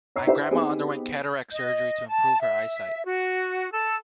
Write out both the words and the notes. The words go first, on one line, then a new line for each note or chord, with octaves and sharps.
My grandma underwent cataract surgery to improve her eyesight.
C#5 A#5 E6 C7
D4 E4 G4 B4 C5 E5
B3 C4 D#4 G4 G#4
D#5
A5
E5
F#4
A4